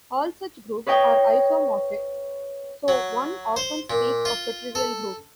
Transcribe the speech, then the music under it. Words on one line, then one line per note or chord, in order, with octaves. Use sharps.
All such groups are isomorphic, so one often speaks of "the" trivial group.
B4 C#5 D#5 G5
F#3
C5
A#2
F4
A4